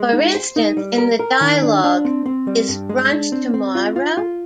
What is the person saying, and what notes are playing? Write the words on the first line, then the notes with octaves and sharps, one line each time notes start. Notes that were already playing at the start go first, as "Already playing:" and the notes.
For instance, in the dialogue Is it brunch tomorrow?
Already playing: G#3
D#4
C5
D#4
G3
A#4
A#4
D#3
D4
D4
C4
C4
G3
G2
G#3
D4
C4
C4
F4
F4
F4